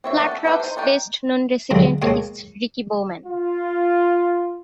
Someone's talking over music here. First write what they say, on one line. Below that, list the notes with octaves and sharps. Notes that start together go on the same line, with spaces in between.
Flat Rock's best known resident is Ricky Bowman.
C4 C#5 E5
A3 B3 C#4 D4
A4
D#4 G4 A4 B4 E5
D#4 C5
A3 D4 D#4 G4
B2 D3 F3 F#3 G#3 C4
B2 G#3 A#3 C4 C#5 A5
F4